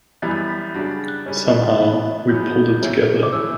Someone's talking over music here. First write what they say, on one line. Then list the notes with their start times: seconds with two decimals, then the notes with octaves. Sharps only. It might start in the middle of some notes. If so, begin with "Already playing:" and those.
Somehow, we pulled it together.
0.22 F#2 E3 G3 B3 A6
0.30 G6
0.37 A6
0.48 B6
0.74 C#3 G3 D4 F#4 A6
0.91 A6
1.08 F#6
1.26 C#3 G3 C#4
1.78 A2 E3 B3
2.29 E2 B2 F#3 B3 G6
2.82 C#3 F#3 C#4 E4 G4
3.23 D6
3.33 E3 A3 C#4 E6